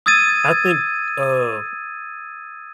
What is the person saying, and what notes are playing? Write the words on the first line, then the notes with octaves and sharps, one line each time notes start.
I think, uh,
D#6 E6 G#6 A6 D#7